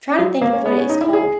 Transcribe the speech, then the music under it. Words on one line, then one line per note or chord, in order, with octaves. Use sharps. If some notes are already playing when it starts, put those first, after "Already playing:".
trying to think of what it is called.
F#3
A#3
C#4
B3
C#4
D#4
E4
G#4